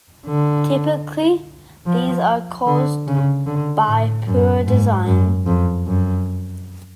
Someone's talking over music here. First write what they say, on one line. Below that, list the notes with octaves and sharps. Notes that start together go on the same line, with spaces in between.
Typically these are caused by poor design.
D3
F3
D3
C#3
D3
A2
F#2
G#2
F#2
F2
F#2